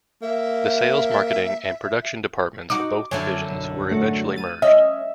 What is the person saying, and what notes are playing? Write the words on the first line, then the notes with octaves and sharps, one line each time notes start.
The sales, marketing, and production departments of both divisions were eventually merged.
A#3 E5
D#4 F#4 D6
F#2 D3 E4 C#5 G#5 A5
B1
A2 A3 F#4
A6 D#7
C#4 D#5 E5